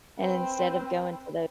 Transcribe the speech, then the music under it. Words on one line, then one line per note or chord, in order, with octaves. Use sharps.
and instead of going to the
C4 B4